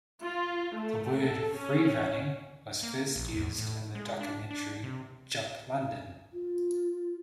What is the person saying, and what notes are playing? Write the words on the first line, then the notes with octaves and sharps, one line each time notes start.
The word "freerunning" was first used in the documentary, "Jump London".
F4
A3
A4
C#4
A#3
A#1
E2
A2
G#3
D4
D4
C3
F4